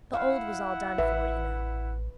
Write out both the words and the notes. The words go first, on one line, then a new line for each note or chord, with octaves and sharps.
The old was all done for, you know.'
E4 F5 F#5
A1 B4 E5